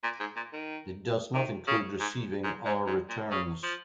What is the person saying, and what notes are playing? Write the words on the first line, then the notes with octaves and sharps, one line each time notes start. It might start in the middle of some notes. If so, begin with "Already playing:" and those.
It does not include receiving or returns.
A#2
G#2
A#2
D#3
D#3
C#3
G#2
G#2
G#2
G#2
A#2
C#3
F3